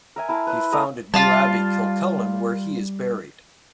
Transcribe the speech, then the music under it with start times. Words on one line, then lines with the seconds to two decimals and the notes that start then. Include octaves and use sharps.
He founded New Abbey, Kilcullen, where he is buried.
0.16 A#4 E5 G#5
0.29 E4 A#4 A5 C6
0.47 B4 E5
0.72 A3 D#5 A#5 D#6
1.14 G3 F4 F5 A5